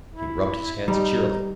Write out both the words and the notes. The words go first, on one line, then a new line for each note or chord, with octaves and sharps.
He rubbed his hands cheerily.
E4
G3 D#4